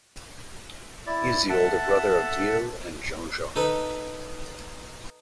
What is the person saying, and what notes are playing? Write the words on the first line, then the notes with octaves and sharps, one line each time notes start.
He is the older brother of Gilles and Jean-Jacques.
E4 D5
A4 E5 F#5 A5
D#4 A4 B4